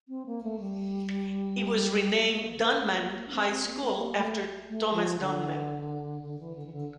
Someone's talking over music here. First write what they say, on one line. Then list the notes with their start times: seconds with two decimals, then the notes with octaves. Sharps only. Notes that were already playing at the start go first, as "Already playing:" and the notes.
It was renamed Dunman High School after Thomas Dunman.
0.09 C4
0.26 A#3
0.43 A3
0.60 G3
2.13 A#3
2.59 C4
2.64 A#3
2.82 A3
2.98 A#3
3.16 A#3
3.28 D4
3.33 C4
3.50 C4
3.66 A#3
3.74 C4
3.81 A#3
3.88 C4
3.95 A#3
4.17 A3
4.69 A3
4.94 F3
5.19 D3
6.21 D3
6.39 E3
6.55 D3
6.66 E3
6.72 D3